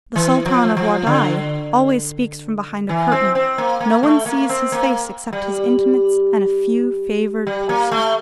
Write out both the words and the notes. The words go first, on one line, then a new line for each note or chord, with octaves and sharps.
The Sultan of Wadai always speaks from behind a curtain; no one sees his face except his intimates and a few favoured persons.
E3
F3
F3
D3
E3
C4
C4
A#3
A#3
A3
A#3
C4
A#3
G3
G3
A#3
A3